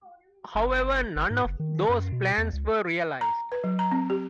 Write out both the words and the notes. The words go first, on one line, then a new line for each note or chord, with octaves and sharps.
However none of those plans were realized.
G1
G1
G#2
F#1
D#3
F#2
B2
E2
C#2
A#5
B4
F#3
A#5
C4
G4